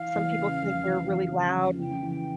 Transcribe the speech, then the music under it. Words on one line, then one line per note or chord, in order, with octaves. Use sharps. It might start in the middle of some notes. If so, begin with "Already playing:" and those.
some people think they're really loud and
Already playing: E3 F5
E2
C#3
F1
E3
E2
C#3
F1
C#3 G5
E3